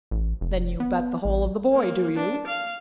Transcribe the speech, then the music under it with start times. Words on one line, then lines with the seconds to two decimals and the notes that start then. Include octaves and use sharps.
"Then you bet the whole of the boy, do you?"
0.11 A1
0.41 F1
0.80 B3
1.25 A1
1.73 A#3
2.16 D4
2.46 F5